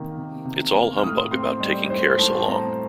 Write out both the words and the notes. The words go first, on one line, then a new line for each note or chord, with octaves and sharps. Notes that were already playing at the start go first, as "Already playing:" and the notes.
It's all humbug about taking care so long.
Already playing: C3 D#3 A#3
C3
C3
A#3
F6
A2 D#6
C4 C6
G3 D#5
A2 C5
A2 A5
A5
C4 A#5